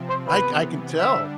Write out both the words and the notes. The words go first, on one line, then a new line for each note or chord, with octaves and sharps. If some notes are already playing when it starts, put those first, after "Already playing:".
I ca I can tell.
Already playing: C3 F3 C4
C5
C3 E3 B3 B4
D3 G3 D4 E5